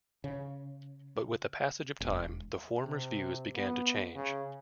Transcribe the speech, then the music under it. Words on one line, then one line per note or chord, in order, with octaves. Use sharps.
But, with the passage of time, the former's views began to change.
C#3
E1
C3
B3
C#3